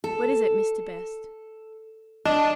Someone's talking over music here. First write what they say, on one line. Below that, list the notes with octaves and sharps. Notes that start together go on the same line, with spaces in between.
"What is it, Mr. Best?"
A4
D4 D#5